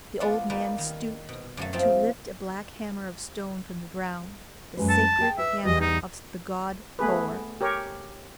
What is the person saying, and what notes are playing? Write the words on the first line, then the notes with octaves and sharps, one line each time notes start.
The old man stooped to lift a black hammer of stone from the ground,--the sacred hammer of the god Thor.
B3 D4 F4
G3 A#3 D#4 B4
D#3
B2
F#2 F#3 A3
F3 C4 D#4 F4
F#2 G#3 B4
A5
G#4 G5
B4 E5
E2 G3 B4 D#5
D#4
A3 B3 G#4 B4
G4 A#4 C#5